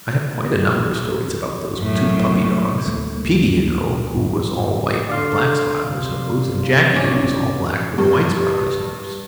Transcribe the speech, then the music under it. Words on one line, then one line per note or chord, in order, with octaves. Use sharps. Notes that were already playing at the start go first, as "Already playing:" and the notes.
I have quite a number of stories about those two puppy dogs; Peetie, you know, who was all white with a black spot on his nose, and Jackie, who was all black with a white spot on his nose.
F#2 A2
D2 G3 A3 A#3
A2
D3 D5 F5 C6
C3
C#4 C#5 D5
G2